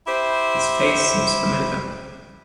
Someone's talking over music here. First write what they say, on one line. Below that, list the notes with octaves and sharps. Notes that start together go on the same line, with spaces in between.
His face seems familiar.
E4 G4 C5